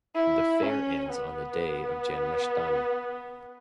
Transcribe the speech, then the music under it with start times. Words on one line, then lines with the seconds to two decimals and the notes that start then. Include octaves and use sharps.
The fair ends on the day of Janmashthami.
0.15 E4
0.63 C#4
1.09 B3